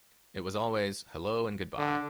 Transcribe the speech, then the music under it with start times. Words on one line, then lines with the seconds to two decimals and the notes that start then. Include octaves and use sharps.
It was always 'hello and goodbye'.
1.78 D3